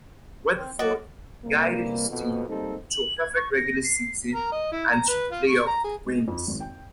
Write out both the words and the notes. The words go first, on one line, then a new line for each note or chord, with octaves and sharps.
Weatherford guided his team to a perfect regular season, and two playoff wins.
C4
F#3 A#3 F#4 D5 D#5
C3 E3 G3 A#3
F2 B2
G3 G#3 A#3 C4 D#4 A4
F#7
G#6
C#6
A#6
C7
A#4
D#5
E4
A#5
B4
F4
C#6
A#5
G#4
G#3
F2
G#1
G5